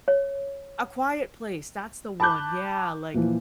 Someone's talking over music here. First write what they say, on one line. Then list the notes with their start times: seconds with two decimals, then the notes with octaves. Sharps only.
A Quiet Place, that's the one, yeah, like,
0.08 C#5
2.20 A5 B5 D6 F#6 G6
3.14 A#2 E3 F3